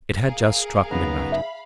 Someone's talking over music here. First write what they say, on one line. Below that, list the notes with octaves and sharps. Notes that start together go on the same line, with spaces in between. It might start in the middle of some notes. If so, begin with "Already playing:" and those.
It had just struck midnight.
G#4 A#4 F5
F#2 C#3 B3 D#4 B4 A#5
E5 F5 B5